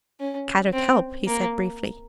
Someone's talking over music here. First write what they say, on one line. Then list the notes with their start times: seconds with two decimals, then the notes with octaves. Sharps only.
"Kadok help," he said briefly.
0.20 C#4
0.73 C4
1.27 A#3